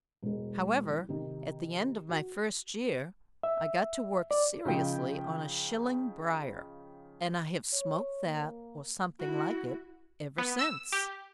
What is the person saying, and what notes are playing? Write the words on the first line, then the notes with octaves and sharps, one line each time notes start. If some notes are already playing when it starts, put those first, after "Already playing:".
However, at the end of my first year I got to work seriously on a shilling briar, and I have smoked that, or something like it, ever since.
E1 G#3
E3
C3 D#3
F#4
E5
D5
C#3 F3 D#4 G5
C#5
A#3
E4 F#4
B3
E6
G4